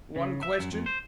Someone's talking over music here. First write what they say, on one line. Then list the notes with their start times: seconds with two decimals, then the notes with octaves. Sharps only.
"One question."
0.16 C#3
0.43 E5
0.59 F#2
0.72 F2
0.86 C5